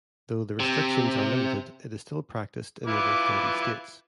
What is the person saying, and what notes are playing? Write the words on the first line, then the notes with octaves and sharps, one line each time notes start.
Though the restrictions are limited, it is still practiced in over thirty states.
C3
E4 F4 B4 D6